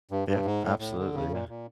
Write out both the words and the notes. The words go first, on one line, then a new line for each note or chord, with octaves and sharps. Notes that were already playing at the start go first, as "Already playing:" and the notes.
Yeah. Absolutely. Yeah.
G2
G2
G#2
A2
A2
D3
C#3
A#2
A#2